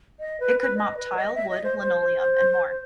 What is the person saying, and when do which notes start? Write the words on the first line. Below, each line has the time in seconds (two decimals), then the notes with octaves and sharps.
It could mop tile, wood, linoleum, and more.
0.19 D#5
0.40 B4
0.58 B4
0.77 D#5
0.97 B4
1.16 D#5
1.34 E5
1.49 D#5
1.63 C5
1.78 C5